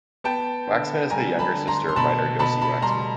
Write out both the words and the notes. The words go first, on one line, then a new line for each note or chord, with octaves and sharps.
Waxman is the younger sister of writer Yossi Waxman.
B3 G5 A5
D3
G3 G#5 A#5
A5 B5
D3
A#5 C6
C6
B2 A5 B5
B2 A5 B5
A5 B5
G3 A#5 C6